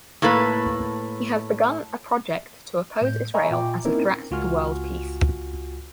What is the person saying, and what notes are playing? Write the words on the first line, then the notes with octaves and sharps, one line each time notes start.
He has begun a project to oppose Israel as a threat to world peace.
A2 A#3 A4 B4
A2 G6
D#5 E5 G#5 A#5 B5 C#6
A#2 F4 G5 D6
A#3 C4 C#4 D#4 E4 A#4
C#2 F4 F#4 G#5 F6